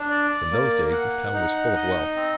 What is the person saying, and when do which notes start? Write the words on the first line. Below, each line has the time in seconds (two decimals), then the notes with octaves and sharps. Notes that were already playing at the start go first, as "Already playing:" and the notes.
In those days this town was full of wealth.
Already playing: D4
0.10 D5
0.52 A#3
0.92 F#5
1.33 D#4
1.75 D#5
2.16 C4